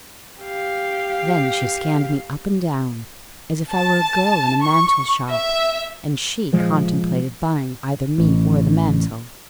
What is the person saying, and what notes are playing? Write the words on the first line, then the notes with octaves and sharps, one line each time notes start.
Then she scanned me up and down, as if I were a girl in a mantle shop, and she contemplated buying either me or the mantle.
G4 F5
A5
C#6
E5
A#2 F3 G#3
A1